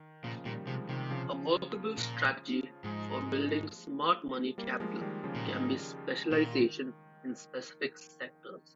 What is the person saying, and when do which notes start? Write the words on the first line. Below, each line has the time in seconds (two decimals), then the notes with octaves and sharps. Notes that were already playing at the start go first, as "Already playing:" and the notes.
A workable strategy for building smart money capital can be specialization in specific sectors.
Already playing: D#3
0.23 A#2 C#3 F3
0.45 A#2 D#3 G3
0.67 C3 F3 G#3
0.89 C3 D#3
1.11 C#3 F3
1.97 A#2
2.84 G#2 F3 G#3
4.58 G3 A#3
4.80 F3 G#3
5.01 D#3 G3
5.24 C#3 F3
5.35 A#2
5.45 G#2 D#3
6.31 A#2 D#3